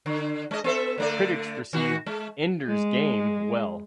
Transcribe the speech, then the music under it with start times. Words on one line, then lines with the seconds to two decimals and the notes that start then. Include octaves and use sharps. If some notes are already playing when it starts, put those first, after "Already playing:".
Critics received "Ender's Game" well.
0.06 D3
0.51 G#3 D#5
0.64 B3 A4 E5
0.98 D3 A3 D5
1.73 D#3 F#4
2.06 G#3
2.67 G#3